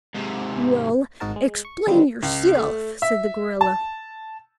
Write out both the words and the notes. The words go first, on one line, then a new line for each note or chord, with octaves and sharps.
"Well, explain yourself," said the gorilla.
G#2 C3
G#1 G#2 D#4 F#4 A#4 A5
G#3
C#6
D3 D#3 F#3 G3 B3 C4
C#2
A3
E5
A5